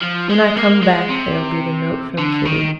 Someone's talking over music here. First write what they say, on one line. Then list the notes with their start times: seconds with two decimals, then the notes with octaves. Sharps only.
When I come back there'll be the note from Kitty.
0.03 F3
0.29 G#3
0.56 A#3
0.83 G#3
1.10 C3
2.18 D3
2.45 D#3